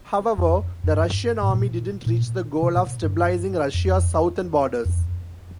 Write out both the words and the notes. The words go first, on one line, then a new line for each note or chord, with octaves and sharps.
However, the Russian army didn't reach the goal of stabilizing Russia's southern borders.
F2
F2
G2
G#2
A#2
A#2
C3
A#2
G2
F2
F2